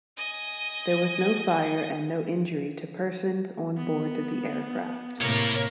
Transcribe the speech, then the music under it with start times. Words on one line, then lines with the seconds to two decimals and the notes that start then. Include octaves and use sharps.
There was no fire and no injury to persons on board the aircraft.
0.17 D#5 G#5
3.77 B3
5.21 A2 C3 A#3 E4 A#4 C#5